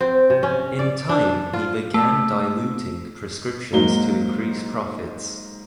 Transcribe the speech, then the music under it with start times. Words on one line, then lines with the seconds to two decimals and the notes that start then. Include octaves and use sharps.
In time he began diluting prescriptions to increase profits.
0.01 C4
0.30 C3
0.43 C#4
0.79 D5
1.09 D4
1.53 F4
1.94 A3
3.73 G#2 F#3 A#3 G7